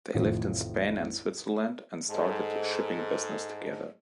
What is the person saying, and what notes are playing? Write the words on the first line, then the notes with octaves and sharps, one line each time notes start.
They lived in Spain and Switzerland and started a shipping business together.
A1 F2 A2 C3 D#3
G#2 G#4 A4 D#5 A5